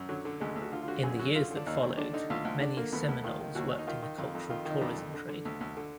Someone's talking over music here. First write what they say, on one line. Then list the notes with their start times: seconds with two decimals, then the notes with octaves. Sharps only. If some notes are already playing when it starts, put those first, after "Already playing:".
In the years that followed, many Seminoles worked in the cultural tourism trade.
Already playing: F#2
0.09 D3 F#3
0.25 D3
0.40 D2 G#3
0.56 D2
0.62 F#4
0.72 D3 F4
0.82 F4
0.88 D3 F#4
1.03 F#2 G#4
1.19 F#2 F#4
1.35 D3 F4
1.51 D3
1.56 D4
1.66 D#2 D#4
1.82 D#2
1.97 D3 D4
2.13 D3 D#4
2.30 D2 F4
2.45 D2 F4
2.60 D3 D4
2.77 D3 A#3
2.92 D2 B3
3.08 D2
3.24 D#3 F4
3.40 D#3
3.55 D#2 F#4
3.71 D#2
3.79 D#4
3.87 D#3 F4
4.02 D#3
4.18 F2 F4
4.35 F2
4.50 D#3 F4
4.65 D#3
4.71 D#4
4.81 F2 D4
4.97 F2
5.14 D3
5.29 D3
5.45 D2
5.61 D2
5.77 D3